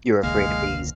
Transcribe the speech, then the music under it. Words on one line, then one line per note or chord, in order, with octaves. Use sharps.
You're afraid of bees.
E1 C#2 D3 G#3 A#3 F5